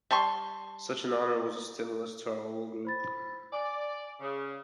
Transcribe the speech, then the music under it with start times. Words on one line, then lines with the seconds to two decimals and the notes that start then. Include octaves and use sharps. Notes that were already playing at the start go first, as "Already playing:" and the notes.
Such an honour was a stimulus to our whole group.
0.11 G3 A5 C6 C#6
2.85 C5 B5 A6
3.52 D5 G#5
4.20 C#3